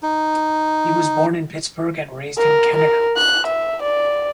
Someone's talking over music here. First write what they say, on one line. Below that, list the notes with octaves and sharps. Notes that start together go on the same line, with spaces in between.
He was born in Pittsburgh and raised in Canada.
D#4
A#4
A#4
F#6
E5
D5